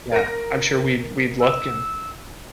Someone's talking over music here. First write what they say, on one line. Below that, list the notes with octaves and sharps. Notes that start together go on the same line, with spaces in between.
Yeah, I'm sure we'd we'd look and,
A#4 A#6
E6